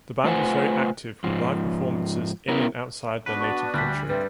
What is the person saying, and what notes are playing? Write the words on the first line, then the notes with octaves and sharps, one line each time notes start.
The band was very active with live performances in and outside their native country.
A3 F4 B4 C5 F#5 G#5
G#2 F3
B3 C#4 E4 A#4
B3 D4 F#4 B4
C#6 A6
D2 G3 F#6 B6
G2 G3 A3 C4 B4